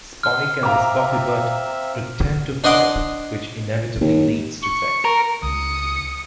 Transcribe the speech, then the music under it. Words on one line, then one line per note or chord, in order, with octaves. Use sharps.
Spike and his Buffybot pretend to fight, which inevitably leads to sex.
C6 F6
C4 E5 F5 A#5 D6
D4 C5 D#5 F#5 C6 D6
D#2
C#6
A#4
C#2 D#6 C#7